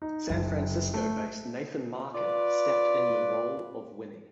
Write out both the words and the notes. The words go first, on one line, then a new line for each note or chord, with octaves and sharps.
San Francisco-based Nathan Marken stepped in the role of Winnie.
D#4
F#1
A3
F4 B4 D5